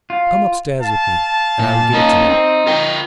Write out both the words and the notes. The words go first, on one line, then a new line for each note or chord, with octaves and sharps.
"Come up-stairs with me, and I will give it to you."
F4
F5 A5
A#2
A#3 C#4 D#4 A#4
C4
F4 A#4 G5